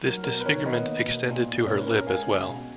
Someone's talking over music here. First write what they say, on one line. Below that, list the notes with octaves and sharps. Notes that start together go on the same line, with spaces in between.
The disfigurement extended to her lip as well.
F#3 A#4
B2 A#4
B4
D#3 A#4 C#5
B3 B4 D#5
A#3
B2
A#2
A#2
C#3 A#4 C#5
B4
C#4 A#4
A#4
G#3 F5 G#5
C#3
B2